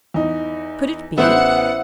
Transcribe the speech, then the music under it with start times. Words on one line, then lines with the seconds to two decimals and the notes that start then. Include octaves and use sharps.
Could it be?
0.14 E2 D#4
1.18 A1 B3 E4 C5 E5 F#5